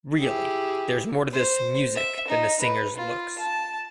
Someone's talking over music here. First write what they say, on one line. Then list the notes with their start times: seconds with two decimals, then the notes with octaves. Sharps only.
Really, there's more to this "music" than the singer's looks.
0.18 E4 G4 G#4
1.32 C5
1.95 E5
2.28 D#4
2.61 B4
2.96 F4
3.39 A5